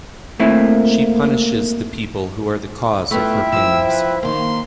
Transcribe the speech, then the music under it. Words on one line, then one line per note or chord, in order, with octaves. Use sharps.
She punishes the people who are the cause of her pains.
A3 A#3 C4 E4
A3 B3 E4 F4 E5 G5
F3 E6
B4
D#3 A#3 C6